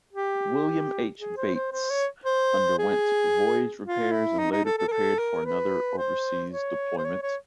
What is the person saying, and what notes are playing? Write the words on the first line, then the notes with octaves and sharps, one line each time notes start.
"William H. Bates" underwent voyage repairs and later prepared for another overseas deployment.
G4
G#4
C5
C5
C5
C#5
C5
G#4
F4
E4
D#4
D#4
A4
A4
A#4
A4
A#4
B4
C5
C#5
C5
C#5
C#5